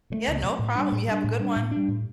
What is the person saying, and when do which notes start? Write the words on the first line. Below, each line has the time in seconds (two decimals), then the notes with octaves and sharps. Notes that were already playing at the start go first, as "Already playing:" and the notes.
Yeah, no problem you have a good one.
0.10 B2 F#3 A3
0.27 C#2
0.42 B2 F#3 A3
0.59 A2
0.75 G3 D4
0.92 A2
1.07 G3 D4
1.24 A2
1.39 G3 D4
1.56 A2
1.71 D4
1.77 G3
1.88 A2